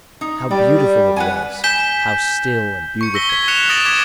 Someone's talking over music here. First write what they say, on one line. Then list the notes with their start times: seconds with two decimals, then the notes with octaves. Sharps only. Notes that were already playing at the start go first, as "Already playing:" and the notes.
How beautiful it was! how still and beautiful!
0.21 D#4
0.51 G3 D5
1.16 B4 F#5 G#5
1.64 G#5 G6 B6 E7 G7
3.01 C#6 C#7
3.14 C#6 E6 A#6 B6 G7
3.29 G#6 B6
3.48 F#6 B6 C#7 E7 F7
3.69 D#6 A6 A#6 D7 E7 F#7
3.85 C#6 D6 F#6 G#6 B6 E7